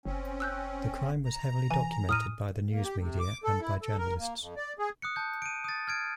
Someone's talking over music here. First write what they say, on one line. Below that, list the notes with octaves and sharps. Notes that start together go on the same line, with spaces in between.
The crime was heavily documented by the news media and by journalists.
F#1 C4 C#4
E6 F#6 G6
A#5
E3 G#5
A2 D#6 F6 D#7
A#3
G4
C3
D6
A4
E4
A4
A#4
A#3
F2
D5
G#4
D#6 F#6 C#7
A5 G6
D7 D#7
D#6 A6
F6 G#6 D7